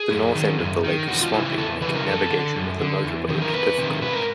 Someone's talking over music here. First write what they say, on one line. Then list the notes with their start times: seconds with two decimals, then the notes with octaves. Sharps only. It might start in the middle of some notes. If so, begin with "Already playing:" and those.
The north end of the lake is swampy, making navigation with a motorboat difficult.
Already playing: G#4
0.11 F#2
0.35 D#3
0.60 F#2
0.84 D#3
1.08 E2 F#4
1.20 F4
1.33 C#3 E3 E4
1.45 E4
1.57 E2 A4
1.82 C#3 E3 B4
1.94 A#4
2.06 F#2 A4
2.30 D3
2.56 F#2
2.80 D3
3.04 E2
3.29 C3 D#3
3.42 A#4
3.53 E2 B4
3.78 C3 D#3
4.02 G#2 B4
4.13 A#4